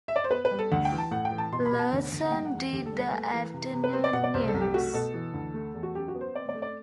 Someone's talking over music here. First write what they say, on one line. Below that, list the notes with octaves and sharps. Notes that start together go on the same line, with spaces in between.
Larson did the afternoon news.
E5
D5
C5
B3 B4
B4
G3
A4
D2 F#5
G5
E3
A5
A2 F#5
G5
E3
A5
B2 C6
B5
B2
A5
D2
D2
F#5
G3 G5
F#5
E2
D2 G4
A4
G3
B4
A3
E3
C3
C3
B4
B3 C5
D5
B2 F#5
D5
C2 C5
A4
C2
G4
A3 F#4
B2 A4
E3
D2
A3
E2
F#4
F#2 G4
F#4
B3
C5
C4 D5
D5
A3
D5